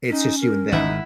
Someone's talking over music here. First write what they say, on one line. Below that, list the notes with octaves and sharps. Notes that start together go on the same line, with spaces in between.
it's just you and them,
C#4 D#4
A#4
G#1 D#4 E4 E5 F#5